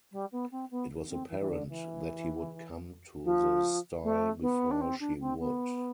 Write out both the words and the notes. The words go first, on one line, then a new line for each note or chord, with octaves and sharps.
It was apparent that he would come to the stile before she would.
G3
B3
C4
B3
C4
E3
E3
D3
E3
F3
A3
B3
D4
C4
D4
C4
B3